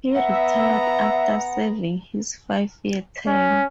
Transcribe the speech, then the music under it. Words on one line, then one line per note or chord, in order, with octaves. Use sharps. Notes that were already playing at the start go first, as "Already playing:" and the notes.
He retired after serving his five-year term.
B3 E5 F#5 A#5
C#4